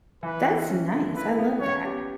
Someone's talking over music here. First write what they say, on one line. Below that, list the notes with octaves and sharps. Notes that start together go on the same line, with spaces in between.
That's nice, I love that.
E3 B4
E4
C#4
D3
E4 B4
B3
C#4 C#5
G4